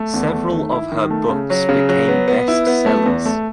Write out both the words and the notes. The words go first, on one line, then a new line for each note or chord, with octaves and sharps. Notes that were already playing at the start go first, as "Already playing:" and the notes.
Several of her books became best sellers.
Already playing: A3
E2
A3
D#3
E4
D#3
A3
C#3
F#3
C#3
F#3
B3
B3
E4
B3
A3
E2
A3